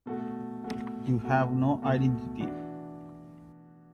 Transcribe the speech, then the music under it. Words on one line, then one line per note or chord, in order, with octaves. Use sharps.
You have no identity.
B2 A3 F#4
B2 A3 F#4
B2 A3 F#4
B2 A3 F#4
E3 D4 F#4